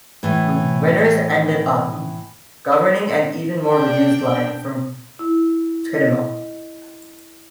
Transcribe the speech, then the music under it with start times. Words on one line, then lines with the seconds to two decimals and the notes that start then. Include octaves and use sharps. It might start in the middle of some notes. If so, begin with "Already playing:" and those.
The "winners" ended up governing an even more reduced land from Chidima.
0.23 A2 E3
3.67 D4 G5
5.19 E4
5.94 D#5